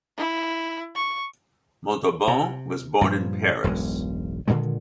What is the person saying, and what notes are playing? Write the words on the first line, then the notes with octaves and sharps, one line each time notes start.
Montauban was born in Paris.
E4
C#6
C3
G2 A#2 E3 F3
E1 B1 G2 G#3
A#2 D3 D#3 G#3